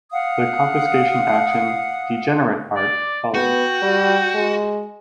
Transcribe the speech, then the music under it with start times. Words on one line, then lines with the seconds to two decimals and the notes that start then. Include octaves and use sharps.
The confiscation action "Degenerate Art" followed.
0.12 F5 F#5 D#6
2.75 D5
3.34 B3 F#4 G5
3.82 G3
4.34 G#3